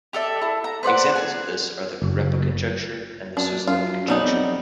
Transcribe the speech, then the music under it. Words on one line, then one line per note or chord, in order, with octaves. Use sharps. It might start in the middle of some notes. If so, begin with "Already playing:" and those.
Examples of this are the Kurepa conjecture and the Suslin conjecture.
G4 A4 D5 E5
E4 A4
A#5
B4 C5 D5 F#5
G#4
F#1
F#2 D4
F#2 F4
B1 F#3 G3 D#4
F2